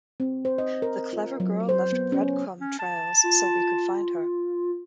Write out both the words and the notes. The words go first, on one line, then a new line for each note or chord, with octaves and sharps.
The clever girl left breadcrumb trails so we could find her.
C4
C5
D#5
A#4
F4
F#3
C5
B3
C#4
C#4
A5
F4